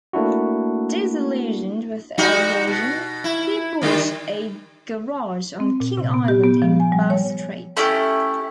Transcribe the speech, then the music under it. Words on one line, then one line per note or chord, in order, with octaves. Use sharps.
Disillusioned with aviation, he bought a garage on King Island in Bass Strait.
A3 A#3 D4 E4 F#4
G3 D#4 F#4
B2
E4
D3 G3
C4
A#2
C3
B3
G4
B3
F3
G#5
G3
C#5
A3 C#4 E4 G4